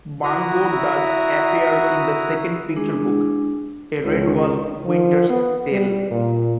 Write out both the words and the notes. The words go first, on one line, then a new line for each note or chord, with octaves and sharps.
Bungo does appear in the second picture book "A Redwall Winter's Tale".
E4 F#4 E5 F#5 A#5 D#6
G#3 D4 E4 G#4
C#2
F3
B3
G3
A#2